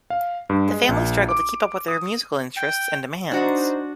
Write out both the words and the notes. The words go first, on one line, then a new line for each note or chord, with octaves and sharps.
The family struggled to keep up with her musical interests and demands.
F5
G2
G#3
A#1
D6
D#6
G5
D4 D#4 F#4 C5